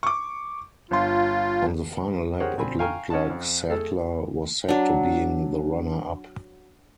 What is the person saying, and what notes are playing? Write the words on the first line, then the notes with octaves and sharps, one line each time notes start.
On the final lap it looked like Sadler was set to being the runner-up.
C#6 D6
G1 F4 C6
G4 G#4 A#4 C5 C#5 F#5
A#1 C4 G#5 B5
F5 G5 G#5 A#5 C#6 F6
C#4 C#5 D#5 F#5 A5
F2
A3 G#4 A4
F#3 D4